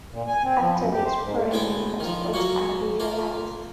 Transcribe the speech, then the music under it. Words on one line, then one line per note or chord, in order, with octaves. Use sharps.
After the experiment, the spots are visualized.
A#2
G#5
C4
F3
F#2
G4
C5
G#2
D2 A2 G#3 B4 G5
D#3 F3
F#3 A#3 C#4 F#4
A#3 F4 A#4